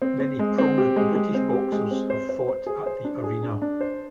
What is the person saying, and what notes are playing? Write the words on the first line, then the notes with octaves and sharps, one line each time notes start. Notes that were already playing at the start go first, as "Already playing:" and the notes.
Many prominent British boxers have fought at the Arena.
C4
C4
G#3
C4
G4
G#3
G#3
C4
G4
G#3
C4
C5
C5
C5
G#4
C5
D4
G#4
D4
D4
C5